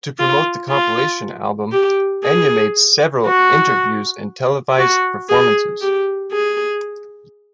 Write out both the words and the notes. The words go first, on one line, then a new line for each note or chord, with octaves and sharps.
To promote the compilation album, Enya made several interviews and televised performances.
F4
F4
G4
G#4
F#4
F#4
G#4
G4
G#4